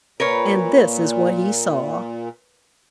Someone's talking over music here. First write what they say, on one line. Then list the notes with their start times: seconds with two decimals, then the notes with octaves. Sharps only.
And this is what he saw.
0.20 A#2 A#4 B4 C#5